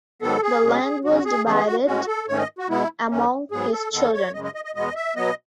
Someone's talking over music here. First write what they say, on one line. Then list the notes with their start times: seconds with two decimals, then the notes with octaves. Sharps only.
The land was divided among his children.
0.22 G#2 D#3 F#3 B3 A4
0.43 G#4
0.63 B2 G#3 C#4
1.04 E2 C#3 F#3 C#4 F#4
1.25 G#4
1.46 C#3 E3 G#3 B3 G#4
1.56 G#4
1.67 F#4
1.86 A2 G#3 C#4 F#4
2.07 A4
2.28 G#2 D#3 A3 C#4 C#5
2.38 D#5
2.59 F#4
2.69 B2 G#3 B3 E4
3.11 F#2 D#3 A3 C#4
3.51 G#2 F#3 B3 G#4
3.72 A4
3.93 E2 D#3 G#3 B3 A4
4.13 C#5
4.34 F#2 C#3 G#3 D#5
4.44 D#5
4.55 D#5
4.65 D#5
4.75 E2 B2 G#3 B3 D#5
4.95 E5
5.16 B2 F#3 B3 D#5